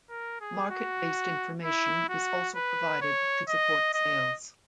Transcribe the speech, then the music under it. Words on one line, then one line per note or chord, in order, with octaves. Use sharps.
Market based information is also provided to support sales.
A#4
G#4
F#4
E4
F#4
B4
C#5
D#5
D#5